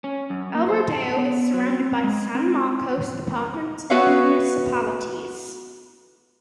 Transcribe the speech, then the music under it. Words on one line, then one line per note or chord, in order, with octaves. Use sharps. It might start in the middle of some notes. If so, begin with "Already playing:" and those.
El Rodeo is surrounded by San Marcos Department municipalities.
C#4
F#2
A#3
C5
A5
B3
F#3
C4
G#3
C4
B3 F#4 B4 C#5 E5 F5